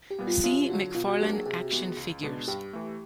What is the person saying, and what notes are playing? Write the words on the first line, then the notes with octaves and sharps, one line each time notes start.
See McFarlane Action Figures.
G4
A#2 G3 B3
F4
F#2 F4
D3 F#3 F#4
B2 F4
F#4
F#3 A#3 D4 G4
G#4
C3 G#4
E3 G#3 B3
C#2
B2 G#3 B3 D4
G2 G4
E3 A3